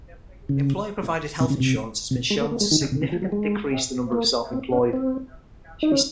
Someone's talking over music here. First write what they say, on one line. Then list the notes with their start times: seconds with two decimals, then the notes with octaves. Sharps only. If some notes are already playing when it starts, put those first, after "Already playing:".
Employer provided health insurance has been shown to significant decrease the number of self-employed.
0.49 C#3
1.40 C3
1.50 C#3
1.60 C3
2.11 C3
2.30 G#3
2.41 A#3
2.51 A#3
2.61 G#3
2.71 D#3
2.81 C#3
2.92 C3
3.02 C#3
3.12 F3
3.22 F#3
3.32 G#3
4.12 A#3
4.53 C4
4.72 C#4
4.93 C4
5.83 D#4
5.92 C#4